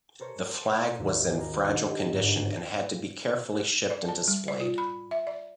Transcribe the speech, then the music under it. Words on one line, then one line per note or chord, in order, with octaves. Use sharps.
The flag was in fragile condition and had to be carefully shipped and displayed.
A4 A#4 C5 C#5 C#6
A5 C6
G#1 D#2 G#2
G#4 A#4
D4 D#4 G4 D#5
G1 G#2
D5
A5
G3
D5
F4
B5
E5
D5